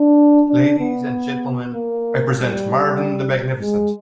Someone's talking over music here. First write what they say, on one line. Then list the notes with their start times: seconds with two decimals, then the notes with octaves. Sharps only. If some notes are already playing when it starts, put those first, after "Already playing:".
Ladies and gentlemen, I present Marvin the magnificent.
Already playing: D4
0.48 D4
0.80 B3
1.73 A#3
2.36 G3
3.61 G#3